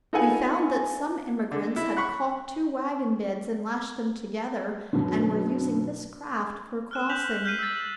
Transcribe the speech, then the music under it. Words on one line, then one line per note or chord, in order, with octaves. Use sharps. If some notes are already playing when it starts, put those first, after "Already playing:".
We found that some emigrants had calked two wagon beds and lashed them together, and were using this craft for crossing.
D#4 F4 A4 B4 F#5 G#5
D3
E4
F#5 B5 C#6
F#2 B2 D3
F6 F#6 E7
F#6 G6 B6 F7 F#7
F6 G6 B6 C7 D#7
E6 A6